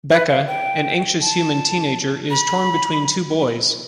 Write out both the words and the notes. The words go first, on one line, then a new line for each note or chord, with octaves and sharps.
Becca,an anxious human teenager,is torn between two boys.
B4
F5
G5
A5
B5